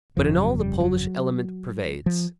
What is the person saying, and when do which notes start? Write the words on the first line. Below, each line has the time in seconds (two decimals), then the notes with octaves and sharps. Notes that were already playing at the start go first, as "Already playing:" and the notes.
But in all the Polish element pervades.
0.17 G1 F2 C#3 F3
0.38 F#3
0.59 G3
0.80 F#3
2.06 F3